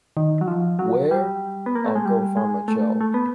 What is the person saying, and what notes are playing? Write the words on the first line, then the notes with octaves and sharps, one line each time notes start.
Where? I’ll go find my child.
D#3
F#3
F3
F#3
G3
B3
A#3
A3
G#3
G3
G#3
A3
A3
B3